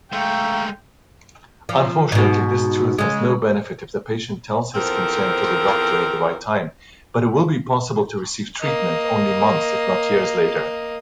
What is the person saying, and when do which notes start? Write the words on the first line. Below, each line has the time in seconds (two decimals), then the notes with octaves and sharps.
Unfortunately, this truth has no benefit if the patient tells his concern to the doctor at the right time, but it will be possible to receive treatment only months, if not years later.
0.13 G#3 A3 F5 G5 A#5 C#6
1.69 F3
2.12 G#2 B2
2.98 C#3 G#3
4.75 E2 F3 C4 A4 A#4
8.61 A#3 D#5